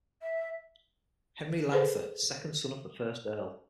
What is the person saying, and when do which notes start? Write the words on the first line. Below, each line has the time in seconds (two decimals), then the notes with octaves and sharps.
Henry Lowther, second son of the first Earl.
0.21 E5
1.72 G#4 A4 B4 C5